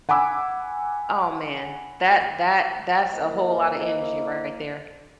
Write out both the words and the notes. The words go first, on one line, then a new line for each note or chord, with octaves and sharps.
Oh, man. That that that's a whole lotta energy right there.
F#5 G#5 B5 D6 E6
A#3 E4 A#4 C5 D#5